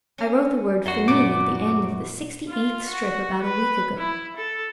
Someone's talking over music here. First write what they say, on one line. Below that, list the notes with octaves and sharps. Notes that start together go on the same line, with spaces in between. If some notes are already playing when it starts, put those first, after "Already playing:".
I wrote the word finis at the end of the sixty-eighth strip about a week ago.
C#4
F#2 F#4 C6
A#2 B3 D6
F4
F#4
B4
E4
A4